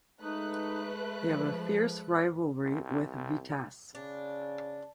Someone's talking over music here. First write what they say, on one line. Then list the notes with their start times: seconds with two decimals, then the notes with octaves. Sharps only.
They have a fierce rivalry with Vitesse.
0.22 G#3 A3 D#4 B4 F#6
1.21 F3
2.64 C2
3.95 C#3 D4